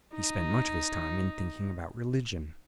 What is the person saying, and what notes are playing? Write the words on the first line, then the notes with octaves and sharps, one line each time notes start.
He spent much of his time in thinking about religion.
D#4